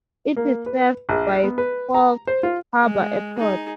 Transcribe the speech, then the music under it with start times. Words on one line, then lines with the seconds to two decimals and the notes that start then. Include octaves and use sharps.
It is served by Fox Harbour Airport.
0.37 A#3
0.66 B4
1.09 A#1
1.44 B3
1.58 B4
1.94 A#5
2.27 C5
2.43 F4
2.83 G#3
3.35 D#4 G#4